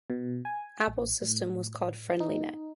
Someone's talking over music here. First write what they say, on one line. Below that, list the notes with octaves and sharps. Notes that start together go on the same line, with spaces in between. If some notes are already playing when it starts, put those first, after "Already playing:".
Apple's system was called FriendlyNet.
B2
G#5
A1
A2
D#4